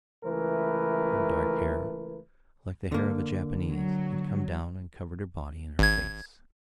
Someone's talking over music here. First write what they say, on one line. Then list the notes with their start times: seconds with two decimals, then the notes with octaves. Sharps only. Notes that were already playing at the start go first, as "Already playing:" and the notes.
Her dark hair, like the hair of a Japanese, had come down and covered her body and her face.
0.24 C#2 E3 A3 A#4 B4
2.92 D3 A#3
3.70 F#3
5.79 G#1 G#6